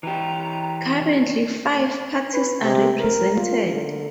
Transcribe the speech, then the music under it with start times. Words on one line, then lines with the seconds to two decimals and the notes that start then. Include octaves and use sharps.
Currently five parties are represented.
0.03 E3 G4 A#5
2.33 B4
2.62 C3
3.00 A#4
3.36 F4
3.69 D3